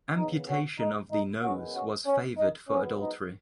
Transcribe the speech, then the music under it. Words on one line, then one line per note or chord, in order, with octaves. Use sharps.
Amputation of the nose was favored for adultery.
C#3 B3 D#4
C#4 F#4
D#4
D#4
F#2 D#3 G#3 B3 C#4 F#4
C#4 F#4
C#4
D#4
G#2 F#3 B3 C#4
D#4